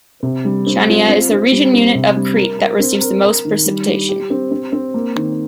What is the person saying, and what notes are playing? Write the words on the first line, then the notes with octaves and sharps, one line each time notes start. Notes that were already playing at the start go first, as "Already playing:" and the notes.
Chania is the regional unit of Crete that receives the most precipitation.
C3
G3
C4
F4
C4
C4
G3
C4
C3
G3
A#4
A#4
C4
A#4
A#4
D#3
G3
G3
G4
C4
C4
C4
A#3
D#3